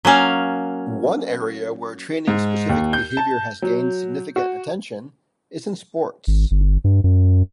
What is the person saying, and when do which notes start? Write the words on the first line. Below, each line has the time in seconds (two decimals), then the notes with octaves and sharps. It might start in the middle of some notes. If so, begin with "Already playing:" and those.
One area where training specific behavior has gained significant attention is in sports.
0.05 F#3 A#3 C#4 F5
2.28 G#2
2.69 D#2
2.93 G6
3.17 A5
3.62 F#3
4.36 F#4
6.27 G#1
6.51 G1
6.84 G2
7.04 F#2